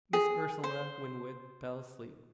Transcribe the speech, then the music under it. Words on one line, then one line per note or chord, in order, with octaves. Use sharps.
Miss Ursula Winwood fell asleep.
G#4
C5